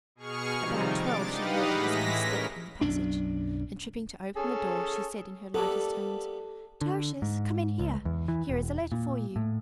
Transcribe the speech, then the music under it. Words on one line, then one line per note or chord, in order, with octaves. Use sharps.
About twelve she heard her husband's step in the passage, and tripping to open the door, she said in her lightest tones, "Tertius, come in here--here is a letter for you."
B2 G#4 C#6 F6
C3 D#3 F3 G3 D#4
G#3 D4 D6 A6
D#4 G4 B4 D#5 F5 F#5
A2 E3 G#3 A#6 B6
C#4 A#4
B1 F#2 D4
C#4 G#4 A4
G3 A#3 B3 A4
D3
G#2
C#2
E2
E3
E1
A#2
A2